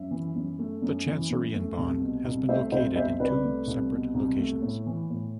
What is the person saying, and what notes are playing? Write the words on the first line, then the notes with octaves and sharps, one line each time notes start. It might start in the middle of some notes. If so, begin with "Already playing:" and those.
The chancery in Bonn has been located in two separate locations.
Already playing: F#2 E5
E3
F#2
A3
F#2
E3
F#2
A3
C2
B2
C2
A3 C5 E5
C2 C5 E5
B2 C5 E5
C2 B4 D5
A3
C2
B2
C2
A3
A2
E3
A2